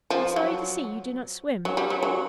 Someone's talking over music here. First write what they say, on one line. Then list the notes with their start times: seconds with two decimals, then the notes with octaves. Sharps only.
I'm sorry to see you do not swim.
0.10 F3
0.36 F#3
1.65 F#3
1.77 G3
1.90 F#3
2.03 F#3